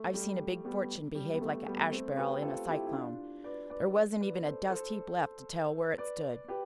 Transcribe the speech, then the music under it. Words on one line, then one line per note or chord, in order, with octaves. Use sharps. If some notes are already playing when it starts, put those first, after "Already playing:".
I've seen a big fortune behave like an ash-barrel in a cyclone--there wasn't even a dust-heap left to tell where it stood!
Already playing: A3
G3
G3 B3
G3
B3
A3
G3 B3
A3 C4
G4 B4
F4 A4
E4 G4
E4
D4 F4
B4 D5
B4 D5
B4 D5
A4 C5
A4 C5
B4 D5
G4 B4